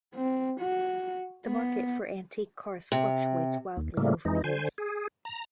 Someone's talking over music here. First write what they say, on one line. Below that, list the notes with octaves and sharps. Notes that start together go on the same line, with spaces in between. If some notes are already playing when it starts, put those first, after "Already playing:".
The market for antique cars fluctuates wildly over the years.
C4
F#4
B3
C3
D#2
A2 C#3 G3 A3 A#3
F2 E3 G#3 D#4
D3 C5 G#5
G#4
A#5